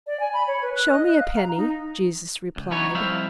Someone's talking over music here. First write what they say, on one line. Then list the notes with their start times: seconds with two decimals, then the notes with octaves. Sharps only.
"Show me a penny," Jesus replied.
0.07 D5
0.20 G#5
0.33 B5
0.47 C#5
0.62 B4
0.75 F#6
0.91 D#5
1.08 F#6
1.19 F5
1.36 A#5
1.57 D#4
2.56 C#2
2.71 F#3 B3 D#4 C#5
2.95 F2 G3 E4 C5 E5 F5